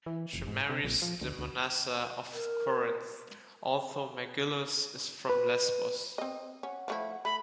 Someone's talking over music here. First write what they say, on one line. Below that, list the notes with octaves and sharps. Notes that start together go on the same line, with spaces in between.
She marries Demonassa of Corinth, although Megillus is from Lesbos.
E3
F1
G#2
C3
A#1
F3
D2
D2
A#4
B4
C4 D#5
C#4 F#5
F3 A3 E4
A3 B5